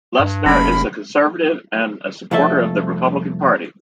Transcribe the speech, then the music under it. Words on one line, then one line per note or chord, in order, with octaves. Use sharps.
Lesnar is a conservative and a supporter of the Republican Party.
G2
F1 F#3 G#3 A#3 C#4 B5
C2 F2 F3 A3 A4 E5